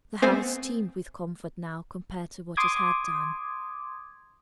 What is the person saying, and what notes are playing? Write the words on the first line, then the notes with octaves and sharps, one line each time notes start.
The house teemed with comfort now, compared to what it had done.
A3 B3 C4 C5 G#5
C6 D6 D#6 G#6